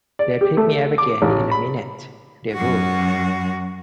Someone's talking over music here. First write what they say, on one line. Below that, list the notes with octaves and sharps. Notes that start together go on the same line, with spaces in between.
They’d pick me up again in a minute, they would!
D5
G4
A3
D6
A1
B5
F#2 F#4